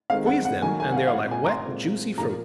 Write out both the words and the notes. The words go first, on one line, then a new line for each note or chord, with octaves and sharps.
Squeeze them, and they are like wet, juicy fruit.
D#3 G#3 C4 F5
F#5
F#5
D#3 F#3 A#3 G#5
G#5
F#5
F5
F5
A#2 G#3 C4 F#5
G#5
A#5
C6
A#2 G#3 C4
A#2 F3 A#3 A#5